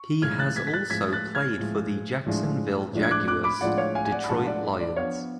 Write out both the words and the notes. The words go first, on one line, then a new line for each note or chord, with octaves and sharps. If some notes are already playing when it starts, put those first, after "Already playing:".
He has also played for the Jacksonville Jaguars, Detroit Lions.
Already playing: C#6
A2 F3 G#3 F6 G#6
F#6 A6
G#6 B6
B6
F#6 A6
A2 F3 G#3 G#6 B6
F#6 A6
F6 G#6
A2 F3 G#3
A2 F3 G#3 D4 F4
A2 F3 G#3 D4 F4
G#6
D6 F#6
D6 F#6
B5 D6
A2 F3 G#3 D4 F4 D5 F#5
C#5 F5
F5 G#5
G#5
D5 F#5
B5
A2 F3 G#3 D4 F4 F#5 A5
D5 F#5
D5
F3 B3 D4 C#5 F5